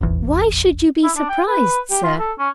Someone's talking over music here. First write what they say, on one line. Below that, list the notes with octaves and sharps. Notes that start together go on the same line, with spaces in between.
"Why should you be surprised, sir?"
D#1 G#1 E2
E4
D4
G5
B4
G4
F4
A4
C#4